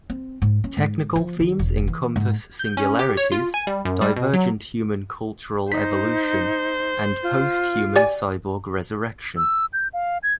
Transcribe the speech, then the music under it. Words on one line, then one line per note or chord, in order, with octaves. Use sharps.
Technical themes encompass singularities, divergent human cultural evolution, and post-human cyborg-resurrection.
C4
G#2
C#4
G#2
F3
D#3
E1
E3
G#2
G6
C#4
G4
C#5
F4
G#5
G3
F#2
G3
B2
F#3
D#4 C5 B6
F4
G4 D5 G#5
E6
G6
F5
G#6